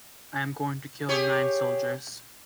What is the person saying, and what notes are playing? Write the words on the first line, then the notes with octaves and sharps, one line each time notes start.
I am going to kill nine Soldiers.
G4 G#4 C#5